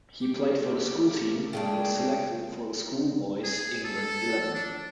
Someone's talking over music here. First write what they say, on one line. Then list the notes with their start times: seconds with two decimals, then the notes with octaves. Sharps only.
He played for the school team and was selected for the schoolboys' England eleven.
0.20 A3 A#3 G4
1.53 C#3 G#3 D4 G#4 G5
3.43 G#4
3.84 A4
4.55 D4